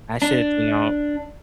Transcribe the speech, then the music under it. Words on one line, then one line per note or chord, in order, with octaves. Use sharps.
I should," you know,
D4